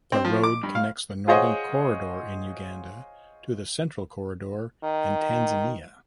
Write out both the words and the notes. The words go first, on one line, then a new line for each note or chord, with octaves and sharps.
The road connects the Northern Corridor in Uganda to the Central Corridor in Tanzania.
C4
F3
D6
G2
F5
F4 G#4 C5 C#5 D#5 F#5
D#3